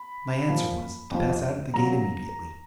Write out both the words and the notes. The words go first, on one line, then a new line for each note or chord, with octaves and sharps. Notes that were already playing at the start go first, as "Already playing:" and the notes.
My answer was, to pass out at the gate immediately.
Already playing: B5
A#2 F3
F2 F3
A#2 F#3 A#5